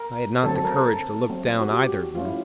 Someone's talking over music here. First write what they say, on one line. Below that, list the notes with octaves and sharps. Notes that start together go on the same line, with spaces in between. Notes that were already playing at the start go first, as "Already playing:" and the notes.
I had not the courage to look down either of them.
Already playing: A#4
D3 F#3 A3 C4 A4
A4
A#4
A4
F#3 A3 C4
F#4
G4
F3 A3 C#4 F4
E4